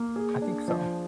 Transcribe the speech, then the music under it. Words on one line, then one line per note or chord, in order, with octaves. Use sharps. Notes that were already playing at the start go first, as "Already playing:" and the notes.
I think so.
Already playing: A#3
G#4
D4
F3